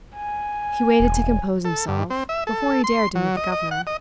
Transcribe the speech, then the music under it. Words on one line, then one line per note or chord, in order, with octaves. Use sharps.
He waited to compose himself before he dared to meet the governor.
G#5
E1
A4
G2
C4
E5
A4
C6
F#3
D#5
D#5
F#5
D#5